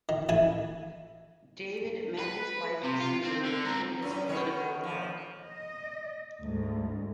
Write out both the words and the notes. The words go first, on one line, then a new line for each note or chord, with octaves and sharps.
David met his wife, Susan, through his political work.
D#3
A1 E4 G#5 A5
B4
C3
F4
C4
D3
C4 A#4
F#2 C#4
B2 D#3 C#5
F3
D#5
D2 G#2